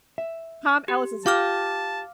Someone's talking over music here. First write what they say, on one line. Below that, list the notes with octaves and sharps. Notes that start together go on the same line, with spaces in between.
Tom Ellis is h
E5
G4
F4 G4 F5 A5 D6 F6